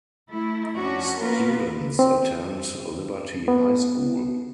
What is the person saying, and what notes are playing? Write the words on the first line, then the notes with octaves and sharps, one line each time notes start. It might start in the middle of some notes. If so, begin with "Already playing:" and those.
Students attend Liberty High School.
A3 E4
F2 C#4 D4 F#4
A#3 B3 F4 A#4 B4
C4
B3